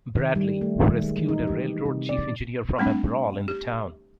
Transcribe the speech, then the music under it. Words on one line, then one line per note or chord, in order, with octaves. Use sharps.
Bradley, who rescued a railroad chief engineer from a brawl in the town.
D#3
G3
A3
D#3
G#3
E3
D#4
G4
C3
D5
G3 A3 C4 D4
G4